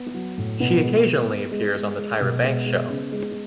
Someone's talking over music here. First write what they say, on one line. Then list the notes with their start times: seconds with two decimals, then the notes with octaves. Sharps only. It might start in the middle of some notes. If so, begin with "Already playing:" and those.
She occasionally appears on "The Tyra Banks Show".
Already playing: B3
0.14 F#3
0.38 A2
0.60 B2 B3
0.84 G#3
1.06 G#3
1.28 G#3
1.52 G#3
1.75 G#3
1.97 G#3
2.20 B2
2.43 G#3 B3
2.66 G#3
2.90 C#3
3.12 G#3